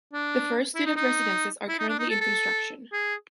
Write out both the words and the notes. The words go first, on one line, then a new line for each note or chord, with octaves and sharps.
The first student residences are currently in construction.
D4
E4
D#4
D#4
E4
D#4
D4
D#4
A4
A4
G#4